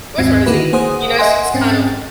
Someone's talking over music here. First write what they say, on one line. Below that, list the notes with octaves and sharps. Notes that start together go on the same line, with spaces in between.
Where's Rosie?" You know, she was kind of,
D#2 G#2 C4 G#6
D3 D#3 A#3 E4 F#4 B4
A#3 G#4 C5 F#5 D#6
D#5 E5 F#5 G#5 C6
G#2 C4 C#4 G5 A6